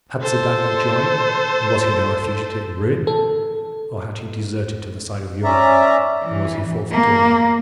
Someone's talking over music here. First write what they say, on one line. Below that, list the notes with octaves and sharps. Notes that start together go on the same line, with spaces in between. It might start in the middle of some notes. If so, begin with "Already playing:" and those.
Had Sir Daniel joined, and was he now a fugitive and ruined? or had he deserted to the side of York, and was he forfeit to honour?
A4 C5
A4
C#4 D5 E5 A#5
E3
A#3